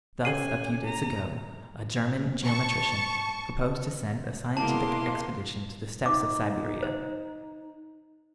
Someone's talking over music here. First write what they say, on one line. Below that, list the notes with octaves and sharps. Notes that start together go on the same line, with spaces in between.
Thus, a few days ago, a German geometrician proposed to send a scientific expedition to the steppes of Siberia.
C#4 G4 A4 G#5 C7 D#7
A#5
A5 C#6
B2 G#3 A#3 B3 E4 A5 C6 D6
D#4 D6
C5